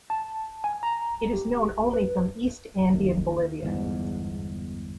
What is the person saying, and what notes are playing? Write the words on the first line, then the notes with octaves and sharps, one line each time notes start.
It is known only from East Andean Bolivia.
A5
G#5
A#5
G4
B4
D#2
G1 E2 G#2